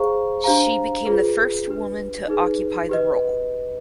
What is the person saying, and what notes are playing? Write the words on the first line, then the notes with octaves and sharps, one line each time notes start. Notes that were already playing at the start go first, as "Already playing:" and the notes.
She became the first woman to occupy the role.
Already playing: G#4 C5 F5 A#5 C#6
D4 G4 C5 F5 A#5
F4 G#4 B4
D4 G4 B4
D#4 G#4 B4
G4 B4 D#5